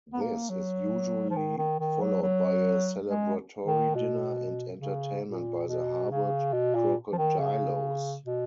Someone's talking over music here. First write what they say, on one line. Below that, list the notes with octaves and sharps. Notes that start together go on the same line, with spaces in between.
This is usually followed by a celebratory dinner and entertainment by the Harvard Krokodiloes.
B3
A#3
F#3
F3
D#3
D#3
D#3
F#3
F#3
G#3
D#3
B2
C#3
A#2
B2
C#3
B2
A#2
F3
D#3
C#3
B2